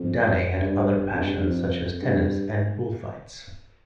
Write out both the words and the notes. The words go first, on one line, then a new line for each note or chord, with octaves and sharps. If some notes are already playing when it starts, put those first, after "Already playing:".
Daney had other passions such as tennis and bullfights.
Already playing: F2
G2
F2
G2
G2
F2
G2